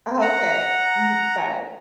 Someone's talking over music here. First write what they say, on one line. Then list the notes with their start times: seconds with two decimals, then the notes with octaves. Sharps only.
Okay, mhm, bye.
0.22 F#5 A#5